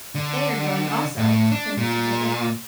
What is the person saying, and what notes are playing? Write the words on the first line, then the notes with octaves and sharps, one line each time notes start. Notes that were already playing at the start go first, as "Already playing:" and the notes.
'They are going also,' said Mr. Pickwick.
D3
A2
D4
A#2